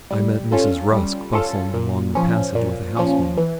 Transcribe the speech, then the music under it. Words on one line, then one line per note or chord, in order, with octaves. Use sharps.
I met Mrs. Rusk bustling along the passage with a housemaid.
G3
C#4 F4 A4
G3
C#4 F4 A4
A#2
F3 C#4
A#2
F3 C#4
E3